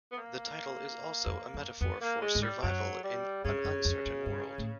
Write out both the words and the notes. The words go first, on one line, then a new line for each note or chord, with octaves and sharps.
The title is also a metaphor for survival in an uncertain world.
B3
A#3
F2
F#2
F2 B3
A#3
G#3
G#2
G3
F#2 F#3
G3
G2 C#3
F#2
F2
F#2
G2
A2